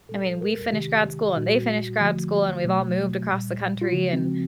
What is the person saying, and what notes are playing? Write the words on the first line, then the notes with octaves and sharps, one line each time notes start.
I mean, we finished grad school and they finished grad school, and we've all moved across the country and
A#2 G3 A4
A#4
C3 D#3 G#3 G4
A#2 G3 F#4
D3 F3 A3
B2 F#3 A3
A#2 G3
F4
C#3 F3 G#3 F#4
C4